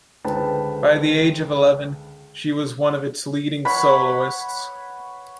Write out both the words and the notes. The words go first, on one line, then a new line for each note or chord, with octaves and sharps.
By the age of eleven, she was one of its leading soloists.
C#2 D3 B4 C5 G5 A5
C#5 F#5 B5